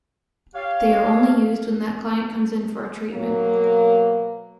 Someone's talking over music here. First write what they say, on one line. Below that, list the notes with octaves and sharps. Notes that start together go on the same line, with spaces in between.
They are only used when that client comes in for a treatment.
G4 C#5 F5
B2 F#3 A#3